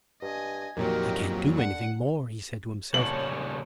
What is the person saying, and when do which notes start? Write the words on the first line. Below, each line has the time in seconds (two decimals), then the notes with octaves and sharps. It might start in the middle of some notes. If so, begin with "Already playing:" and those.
"I can't do anything more," he said to himself.
0.22 G2 D#5 G#5
0.77 F2 A#2 D#3 F#3 G4 A#4
1.58 D3 F#5
2.94 A#2 C#3 G3 C#5 A5 F#7